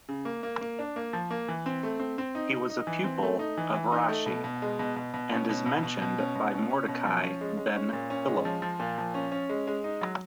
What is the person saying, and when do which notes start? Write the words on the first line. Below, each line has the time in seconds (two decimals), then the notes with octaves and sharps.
He was a pupil of Rashi, and is mentioned by Mordecai ben Hillel.
0.09 C#3
0.25 A#3
0.43 A#3
0.61 A#3
0.79 D4
0.96 A#3
1.13 F3
1.31 A#3
1.48 E3
1.66 C4
1.83 A3
2.00 C4
2.18 C4
2.35 D#4
2.52 D#4
2.70 D#4
2.87 E3
3.04 C4
3.23 A3
3.39 D#4
3.57 E3
3.74 E3
3.92 D#4
4.09 A3
4.26 B2
4.44 B2
4.62 G#3
4.79 B2
4.96 B2
5.14 B2
5.32 C#4
5.49 B2
5.66 B2
5.83 B2
6.02 B2
6.18 C#4
6.36 B2
6.54 C#4
6.70 C#4
6.88 B2
7.06 F3
7.23 C#4
7.41 G#3
7.57 G#3
7.76 C#4
7.93 A#2
8.10 C#4
8.28 G#3
8.45 F3
8.62 F3
8.80 A#2
8.98 F3
9.14 C#4
9.32 C#4
9.49 G#3
9.67 G#3
9.84 D#4
10.01 F#3